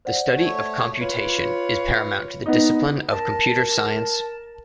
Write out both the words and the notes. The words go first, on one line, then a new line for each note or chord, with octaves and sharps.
The study of computation is paramount to the discipline of computer science.
C5 D5 F#5
A3 C#5
F4 B4 C#5
B3 D#4
A#4 A5